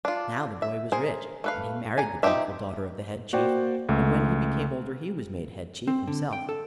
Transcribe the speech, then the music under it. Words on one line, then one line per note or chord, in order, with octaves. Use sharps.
Now the boy was rich, and he married the beautiful daughter of the Head Chief, and when he became older he was made Head Chief himself.
D4 F4
E5
G#4 A#4 C5
A3 B4 F5
G#5 A#5
C4 D#4 F4 G4 E5
A#3 F#4 C5 D5 G5
C#2 A3
C4
D3
G5
A4